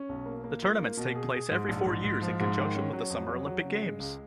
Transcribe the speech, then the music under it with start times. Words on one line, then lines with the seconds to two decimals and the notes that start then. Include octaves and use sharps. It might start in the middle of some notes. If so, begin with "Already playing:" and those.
The tournaments take place every four years, in conjunction with the Summer Olympic Games.
Already playing: C#4
0.09 B1
0.26 A#3
0.44 A#3
0.62 F4
0.79 A#3
0.97 B2
1.15 G#4
1.33 G#4
1.51 G#2
1.68 A#1
1.86 G#2
2.04 G#2
2.22 F3
2.40 G#2
2.58 D#3
2.75 C#4
2.93 F#3
3.10 F2
3.29 F#3
3.46 F#3
3.64 C#3
3.82 G#3
4.00 C#2